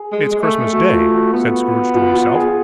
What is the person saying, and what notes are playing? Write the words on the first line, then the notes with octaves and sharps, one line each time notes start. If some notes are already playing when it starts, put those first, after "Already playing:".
'It's Christmas Day!' said Scrooge to himself.
Already playing: G#4
G#3
G#3
A3
A3 F#4
F4
F#4
B3
F4
F4
G#4